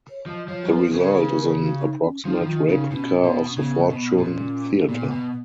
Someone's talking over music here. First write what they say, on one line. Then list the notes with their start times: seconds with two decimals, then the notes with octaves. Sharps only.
The result is an approximate replica of the Fortune Theatre.
0.09 C#5
0.26 F3 D#5
0.48 F3 C#5
0.65 F#3
0.70 F3 B4
0.92 C#3 A#4
1.14 G#4
1.27 B4
1.36 A#4
1.58 F#4
1.81 D#4
2.02 C#4
2.25 F3 D#4
2.42 F3
2.46 D#3 F4
2.63 F4
2.69 C#3 D#4
2.91 B2 C#4
3.24 B2 B3
3.50 C#4
3.57 C#3 B3
3.90 B2 B3
4.18 B2
4.23 A#2 C#4
4.79 A#3
4.89 A#2 B3
5.11 B2